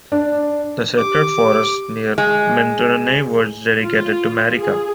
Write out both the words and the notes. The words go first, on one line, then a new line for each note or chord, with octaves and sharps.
The sacred forest near Minturnae was dedicated to Marica.
D4
G4 D6
G#3
F4
G#4